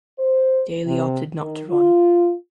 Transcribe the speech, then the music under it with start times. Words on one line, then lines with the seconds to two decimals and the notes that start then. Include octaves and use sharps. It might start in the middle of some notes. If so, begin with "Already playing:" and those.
Daley opted not to run.
0.19 C5
0.85 C3
1.40 D#3
1.70 F4